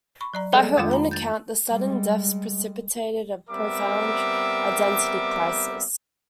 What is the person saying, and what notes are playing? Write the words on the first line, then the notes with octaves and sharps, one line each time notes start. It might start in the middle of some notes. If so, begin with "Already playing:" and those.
By her own account, the sudden deaths precipitated a profound identity crisis.
B5 C#6
F#3 D5 A#5
G3 G#3 G#4 A4 D5 D#5
F2 D#3 G#3 A3 D4 F4
A#5 B5
G6 A6
G3 G#3
G3 B3 C4 A#4 E5 D6